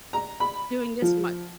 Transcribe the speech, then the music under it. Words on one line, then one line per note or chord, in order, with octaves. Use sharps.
doing this much.
A#5
B5
F3